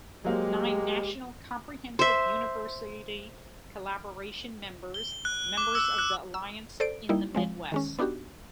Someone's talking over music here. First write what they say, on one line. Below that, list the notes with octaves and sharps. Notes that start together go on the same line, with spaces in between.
"Nine national comprehensive university collaboration members, members of the alliance in the Midwest".
F#3 G#3 A#3 G4 C5
C5 E5
G7
F#6
D6
E6
F#6
E6
A4 C5 D5 D7
G3 A#3 D#4 E4
F3 G#3 C4
D#3 G#3 C#4
B3 D4 D#4 F#4 G4